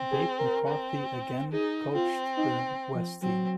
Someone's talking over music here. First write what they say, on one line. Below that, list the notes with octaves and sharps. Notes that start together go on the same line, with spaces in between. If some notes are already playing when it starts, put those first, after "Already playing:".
Babe McCarthy again coached the West team.
Already playing: C4
G#4
A#4
C4
D#4 G#4
C4 F4
D#4
F3
F#3 C4